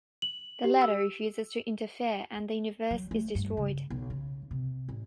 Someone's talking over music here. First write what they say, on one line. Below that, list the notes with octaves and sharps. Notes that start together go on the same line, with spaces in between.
The latter refuses to interfere and the universe is destroyed.
F#7
G4
E6
F#3
A3
G2
C#3
B1
C#3
C3
A1